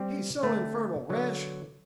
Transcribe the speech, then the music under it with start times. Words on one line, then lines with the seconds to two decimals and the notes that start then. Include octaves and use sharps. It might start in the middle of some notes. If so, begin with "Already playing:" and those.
He's so infernal rash.
Already playing: G3 C4 G4
0.42 D3 A3 C4
1.10 D3 F#3 B3